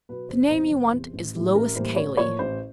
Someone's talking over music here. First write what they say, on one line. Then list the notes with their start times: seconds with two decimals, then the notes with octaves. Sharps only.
'The name you want is--Lois Cayley!'
0.09 B2 F#3 B3 B4
0.29 F#1 C5
0.50 E2 C3 C5
0.71 F#1
0.92 E2 C3
1.13 A1
1.35 A2 E3 G3 A#3
1.55 A1 A#4
1.75 A2 E3 G3 A#3 C5
1.96 A1 C#5
2.17 A2 F3 A#3 C#5
2.39 A1 C5